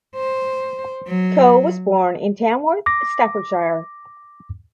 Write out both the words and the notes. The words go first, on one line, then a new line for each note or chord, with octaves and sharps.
Coe was born in Tamworth, Staffordshire.
C5
F#3
D6 A#6